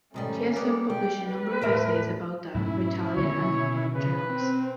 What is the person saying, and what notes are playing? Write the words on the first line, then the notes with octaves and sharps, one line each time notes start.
Chiesa published a number of essays about that for Italian and foreign journals.
G#2 D#3 G3 A3 C#4
G3 A#3 B3
G3 G5
B4
E2 A2 E5
G#2 B2 F#3 A3 C#4 E4
D3 D#3 A#3 C#5
C#3 B4
C4